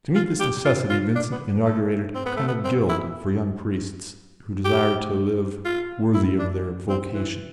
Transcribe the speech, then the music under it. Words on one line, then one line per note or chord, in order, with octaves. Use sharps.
To meet this necessity Vincent inaugurated a kind of guild for young priests who desire to live worthy of their vocation.
F4
G4
F4
F4
D4
B3
A3
C4
B3
A3
B3
C4
E4
G4
F4
E4
D4
C4
E3